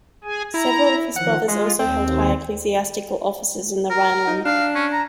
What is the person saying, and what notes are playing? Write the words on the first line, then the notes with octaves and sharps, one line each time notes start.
Several of his brothers also held high ecclesiastical offices in the Rhineland.
G#4 G#5
E4 A#5
D#3 F3 F#5
G#3 F4
D#2 C4
A#4
D#4
D4 F5
C#4
A#5